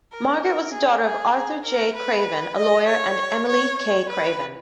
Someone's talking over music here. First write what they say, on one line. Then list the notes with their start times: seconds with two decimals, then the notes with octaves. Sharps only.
Margaret was the daughter of Arthur J. Craven, a lawyer, and Emily K. Craven.
0.12 A#4
0.42 A#4
0.72 G#4
1.03 G#4
1.34 G#4
1.65 A#4
1.95 B4
2.56 D#5
2.87 C#5
3.48 C#5
3.78 C#5
4.09 B4